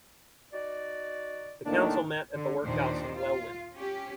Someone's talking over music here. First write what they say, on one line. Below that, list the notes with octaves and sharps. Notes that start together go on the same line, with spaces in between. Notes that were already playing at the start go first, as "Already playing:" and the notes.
The council met at the workhouse in Welwyn.
D#4 F#4 D5
A2 D#3 A#3 D4
D3
D#2 A#2 D#3 D4 C5 D5
F4
C#4 G4